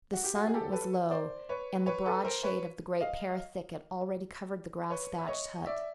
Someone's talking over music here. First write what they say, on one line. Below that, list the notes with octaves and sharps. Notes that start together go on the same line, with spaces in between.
The sun was low, and the broad shade of the great pear thicket already covered the grass- thatched hut.
F#4
G4
F#4 G#4
G#4
G4 A4
A4 B4
C5 D5
B4 C#5
B4 C#5
A4 B4
A#4 C5
B4 C#5
D#5 F5
B4 C#5
E5
C#5 D#5
D5 E5